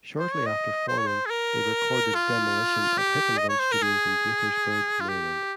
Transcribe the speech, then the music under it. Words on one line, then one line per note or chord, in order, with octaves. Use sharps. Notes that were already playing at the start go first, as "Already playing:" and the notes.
Shortly after forming, they recorded "Demolition" at Hit and Run Studios in Gaithersburg, Maryland.
C5
C#5
D#5
C5
C#5
C5
G#4
A#4
F4
G4
D#5
C#5
C5
A#4
G#4
F4
G4